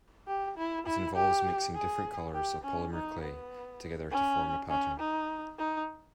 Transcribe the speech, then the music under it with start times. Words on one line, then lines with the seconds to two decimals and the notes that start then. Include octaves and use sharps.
It involves mixing different colors of polymer clay together to form a pattern.
0.27 G4
0.58 E4
0.86 E4
1.16 G4
1.75 G#4
2.34 G4
2.64 C#4
2.94 D#4
3.22 B3
4.11 C#4
4.70 C#4
5.00 D#4
5.58 D#4